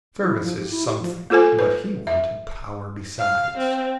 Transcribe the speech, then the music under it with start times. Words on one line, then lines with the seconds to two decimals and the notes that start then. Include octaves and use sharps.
Service is something; but he wanted power besides.
0.23 E4
0.43 F3
0.57 G4
0.70 E4
0.87 G4
1.01 F3
1.30 A#3 F4 A4 C5 G#5
1.59 B4
2.07 E5
3.19 F5
3.58 C4